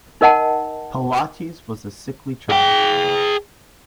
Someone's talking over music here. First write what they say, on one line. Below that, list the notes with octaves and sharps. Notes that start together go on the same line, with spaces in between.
Pilates was a sickly child.
D#4 A#4 D#5 F#5 A5
G#4 G5